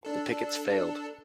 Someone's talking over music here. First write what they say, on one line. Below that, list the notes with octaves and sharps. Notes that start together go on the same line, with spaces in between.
The pickets failed.
D4 A4